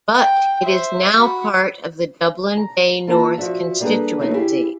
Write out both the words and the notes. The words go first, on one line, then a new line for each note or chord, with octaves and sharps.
But it is now part of the Dublin Bay North constituency.
G5
C5 E5
F#4 B5
A#5
A#3 F4 A#4 E5 G5 A5
F3 F#4 D5 E5
G3 A#3 D4 G#4 A4 B4
E3 F#3 A3 A#3 D#4 E4
E4 G4 G#4 F5